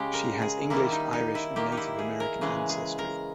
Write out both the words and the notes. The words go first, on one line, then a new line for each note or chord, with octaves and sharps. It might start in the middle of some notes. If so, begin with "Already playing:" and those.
She has English, Irish and Native American ancestry.
Already playing: C#3 G#3 G4
A#4
G#4
D#3 G3 A#3 E4
D#4
D#4
E4
D#3 A#3 G4
D#4
E4
G#4
A#4
C#3 E3 G#3 G#4
G#4
A#4